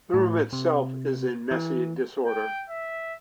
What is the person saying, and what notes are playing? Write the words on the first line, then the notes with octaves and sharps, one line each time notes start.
The room itself is in messy disorder.
A2
C3
E3
G5
E5